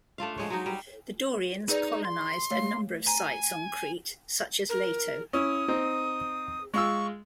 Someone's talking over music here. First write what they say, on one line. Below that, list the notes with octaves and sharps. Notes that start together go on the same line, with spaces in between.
The Dorians colonised a number of sites on Crete such as Lato.
A3 D4 F4 F5
F3 G#3 C#5
F#3 G#3 D#4
G3
D#4 G#4 B4 D5
C6
A3 C#5 F5
G#5 A#5
A#4
C#4 E4 D#6
C4 D#4
G#3 F4 C#6 E6